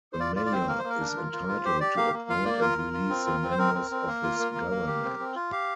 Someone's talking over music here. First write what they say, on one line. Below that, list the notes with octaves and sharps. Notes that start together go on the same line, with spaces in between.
The Mayor is entitled to appoint and release the members of his government.
C5
F4 D5
F4 D5
D5
C4 C5
A#3 A#4
C5
A#3
A#4
D4
F4
F4
F4
G4 C5
G4 D5
A#3 F5
A#3
F4 F5
A#3 D5
F4 A#4
F4
F4
C4
F4
C4
C5
C4 A#4
C4
C4
A#3
F4
A#3
A#3
A#3
G4
C4
C4
F4
G4 F5